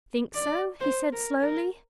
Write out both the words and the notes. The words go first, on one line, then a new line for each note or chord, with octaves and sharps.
"Think so?" he said slowly.
D5
C5
A#4
A#4